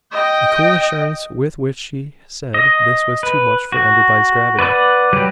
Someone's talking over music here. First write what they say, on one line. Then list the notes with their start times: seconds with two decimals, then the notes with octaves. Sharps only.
The cool assurance with which she said this was too much for Enderby's gravity.
0.13 D#5 G5
2.54 D#5
3.23 B4
3.72 F#4
4.59 B4 D5 E5 F#5
5.13 F#3 G3 G4 B4